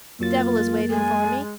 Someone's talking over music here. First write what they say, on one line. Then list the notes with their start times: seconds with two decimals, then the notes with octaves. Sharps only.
The devil is waiting for me.
0.20 F#2 F#3 A#3 F4 A6
0.90 G#3 G#5